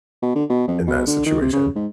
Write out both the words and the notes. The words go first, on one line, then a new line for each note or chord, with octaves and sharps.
in that situation.
B2
D3
B2
F2
B2
D3
D#3
C3
C#3
G#2